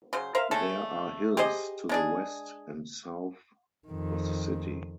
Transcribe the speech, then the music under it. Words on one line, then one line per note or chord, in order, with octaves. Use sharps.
There are hills to the west and south of the city.
C#3 F#3 C5
A#4 C5 E5 F5
G#3 A3 C#4 A4
G4 G#4 C5 D#5
G#3 D4 G#4
F2 D#3